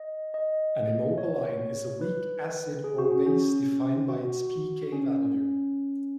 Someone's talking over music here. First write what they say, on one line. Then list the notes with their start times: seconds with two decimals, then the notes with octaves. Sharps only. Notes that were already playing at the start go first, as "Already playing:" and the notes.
An Immobiline is a weak acid or base defined by its pK value.
Already playing: D#5
0.34 D#5
1.18 C#5
2.01 B4
2.84 G#4
2.98 F#4
3.11 C#4
3.26 C#4
4.08 F#4
4.92 C#4